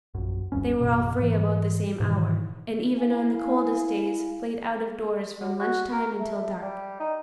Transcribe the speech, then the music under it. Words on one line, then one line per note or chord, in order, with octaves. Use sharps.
They were all free about the same hour, and even on the coldest days played out-of-doors from lunch-time until dark.
A#1 F#2
F1 D2 G2 C#4
A1 F#2 B2
G#2 E3
G#2 B2 D#3 E3
E4 F5 G#5
F#3
F#4
A#4
A3
G3
D#4